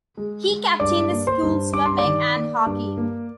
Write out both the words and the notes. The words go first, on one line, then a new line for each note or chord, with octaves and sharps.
He captained the school's swimming and hockey.
G#3
G#3
G2 D5 D6
A#3
C5 C6
G2
G2 D6
C6
D5 D6
D#3
A#3
G2
A#3